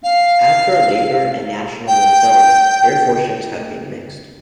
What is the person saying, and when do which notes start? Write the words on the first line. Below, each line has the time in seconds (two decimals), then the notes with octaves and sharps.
As for Labour and National themselves, their fortunes have been mixed.
0.03 F5
1.87 G5